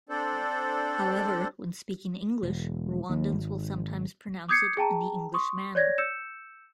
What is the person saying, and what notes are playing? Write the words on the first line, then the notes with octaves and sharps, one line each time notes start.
However, when speaking English, Rwandans will sometimes pronounce it in the English manner.
C4 D4 A4 C5 D5
E1
D#2
G#1
D6 D#6 G6 G#6 C7 C#7
G#4 G5 A5 A#5
C6 C#6 D#6
C#5 D5 G#6 A#6
E6 G6 C#7 E7